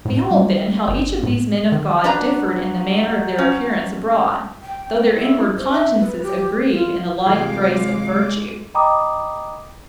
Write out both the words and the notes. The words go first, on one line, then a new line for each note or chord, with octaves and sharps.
Behold then how each of these men of God differed in the manner of their appearance abroad, though their inward consciences agreed in a like grace of virtue.
A2
G3
G1
A2
D#3
F#3 D4 B4 A#5
C#4
G5
E4
C5
E5
B4
G4
F4
C3 E3 F3 G#3 G#4 F5 D6
D#5 G5 A#5 B5 D6 D#6